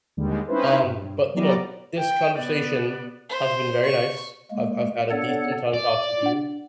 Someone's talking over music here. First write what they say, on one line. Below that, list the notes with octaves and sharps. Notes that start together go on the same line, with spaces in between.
um, but, you know, this conversation has been very nice. I've I've had a decent time talking to you
D#2 D3 G3 G#3
C4 C#4 D#4 E4 B4 C5
G2
F#3 G3 B3 D5 A#5
G5
B3 D5
C5
C#6
G#3 A#3
B3 D4 A4 C#5 D5 F#5
D5
D4 F#5